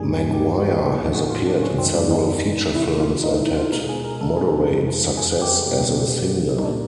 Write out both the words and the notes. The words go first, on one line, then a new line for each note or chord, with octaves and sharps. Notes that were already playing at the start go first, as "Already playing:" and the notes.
Maguire has appeared in several feature films and had moderate success as a singer.
Already playing: G2 D#3 G3 A#3 G#4
G4
F#4
A2 F3 A#3 G4
G#4
F#4
F4
D4
C#4
F#2 D#3 G#3 C4
D4
D#4
C3 E3 A3 E4
F4
D#4
E4
F4
B2 G#3 A#4
G#4
A#4
A4
G#4
F2 C3 E3 G#3
G#4
G4
B2 G3 A#3
D#4
A#2 G3 A#3 D4